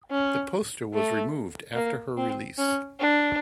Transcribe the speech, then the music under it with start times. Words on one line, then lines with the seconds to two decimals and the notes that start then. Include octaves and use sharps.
The poster was removed after her release.
0.11 C#4
0.93 A3
1.75 A#3
2.17 C4
2.58 C#4
2.99 D4